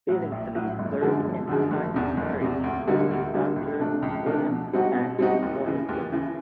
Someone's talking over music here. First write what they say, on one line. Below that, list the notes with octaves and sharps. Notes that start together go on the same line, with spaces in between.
Billingsley's third and final marriage was to Doctor William S. Mortensen.
A2 F#3
A#1
A2 F#3
G1
F#2 D3 F3 G#3
G1
F#2 D3 F3 G#3
F#1
E2 C3
F#1
E2 C3
D2
D3 G3 A#3 D#4
D2
D3 G3 A#3 D#4
C#2
C3 F3 A3 D4
C#2
C3 F3 A3 D4
B2
G3 C4 D#4 F#4
B2
G3 C4 D#4 F#4
D#2
C#3 E3
D#2
C#3 E3